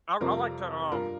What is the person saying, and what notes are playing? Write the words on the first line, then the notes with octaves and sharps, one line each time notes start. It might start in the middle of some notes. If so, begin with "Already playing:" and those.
I I like to, um
F2 C3 G3 F4 A#4
G2 G3 F4 A#4